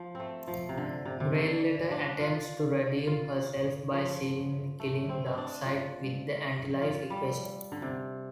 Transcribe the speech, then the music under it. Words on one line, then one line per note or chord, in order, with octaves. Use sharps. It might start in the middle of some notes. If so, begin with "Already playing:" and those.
Grail later attempts to redeem herself by seemingly killing Darkseid with the anti-life equation.
Already playing: F3
A3 C4
F3
C3
D3
C3
C3
D3
D4
F4
F4
F3
A3
C4
C4
D4
F4
F4
G3
D3
C3